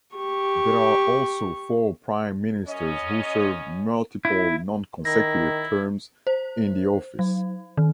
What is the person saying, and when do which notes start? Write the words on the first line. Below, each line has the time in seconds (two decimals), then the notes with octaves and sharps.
There are also four prime ministers who served multiple non-consecutive terms in the office.
0.16 G4 C#6
2.66 F#2 C#4 D#5
4.25 E4
5.05 D#3 E4 A#6
6.27 C5
7.19 F#3
7.77 D#3